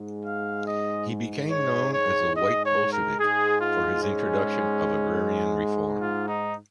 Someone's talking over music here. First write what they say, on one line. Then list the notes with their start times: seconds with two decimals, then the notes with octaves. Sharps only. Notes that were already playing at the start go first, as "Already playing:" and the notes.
He became known as a "white Bolshevik" for his introduction of agrarian reform.
Already playing: G#2 G#3
0.24 F5
0.67 D#5
1.50 C#5
1.93 C#5
2.36 D#5
2.64 C#5
2.92 A#4
3.19 G#2 G#3 G#4
3.61 F4
4.03 C#4
6.01 F4
6.28 D#4